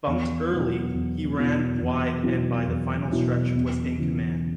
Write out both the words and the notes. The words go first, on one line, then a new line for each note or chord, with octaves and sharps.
Bumped early, he ran wide and by the final stretch was in command.
E2
B2 F#3 B3 E4
E2
B2 F#3 B3 E4
E2
B2 F#3 B3 E4
E2
B2 F#3 B3 E4
E2
C#3 E3